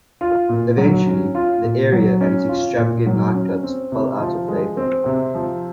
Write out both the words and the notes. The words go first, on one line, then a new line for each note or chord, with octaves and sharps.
Eventually, the area and its extravagant nightclubs fell out of favor.
F4
A#2
F#3
C#4
F4
A#2
F#3
C#4
F4
A#2
F#3
C#4
C4
C3
F3
G#3
C4
C3
F3